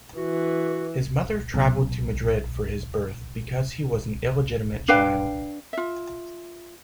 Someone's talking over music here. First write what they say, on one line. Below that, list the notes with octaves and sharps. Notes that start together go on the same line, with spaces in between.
His mother travelled to Madrid for his birth, because he was an illegitimate child.
E3 F#4
B1
D4 B4 F5 G5
F4 E5